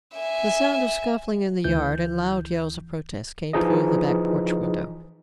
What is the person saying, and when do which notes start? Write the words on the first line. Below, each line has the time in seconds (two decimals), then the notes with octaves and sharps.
The sound of scuffling in the yard and loud yells of protest came through the back porch window.
0.17 E5 G#5
1.64 D2 E3 G6
3.53 E3 F3 D#4 G#4 D#5